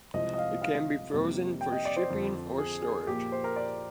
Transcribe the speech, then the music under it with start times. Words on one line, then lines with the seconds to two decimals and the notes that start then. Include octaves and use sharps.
It can be frozen for shipping or storage.
0.14 C2 C3 F3 G#3 D#5
0.34 D#5
0.38 F5
0.62 F5
1.12 F2 C3 G3 A#3
1.61 G5
1.72 D#5
1.85 D5
1.96 C5
2.09 F2 D3 F3
2.58 G#4
2.82 G#4
3.07 A#2 F3 A#3 G4
3.32 C5
3.44 A#4
3.56 D5